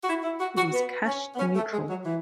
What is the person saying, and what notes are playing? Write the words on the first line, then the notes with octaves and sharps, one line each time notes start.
It is Cash Neutral.
F#4
E4
E4
F#4
F#4
B3
C#4
B3
C#4
A3
G#3
F#3
E3